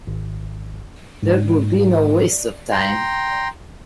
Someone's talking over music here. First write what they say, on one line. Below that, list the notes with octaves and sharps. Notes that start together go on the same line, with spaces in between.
There would be no waste of time.
G#1
G#2
G5 A#5 C6